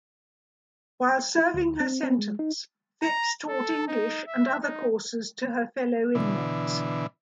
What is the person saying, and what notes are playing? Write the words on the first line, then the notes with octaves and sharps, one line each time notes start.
While serving her sentence, Phipps taught English and other courses to her fellow inmates.
E4
D2
C4
C4
G#3
D#4
A#5
A4
D#4
E5
D#4
B2 D3 E3